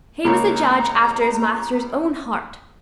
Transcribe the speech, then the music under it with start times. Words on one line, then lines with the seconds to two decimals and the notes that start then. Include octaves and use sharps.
He was a judge after his master's own heart.
0.25 C#2 A#3 C#5 A#5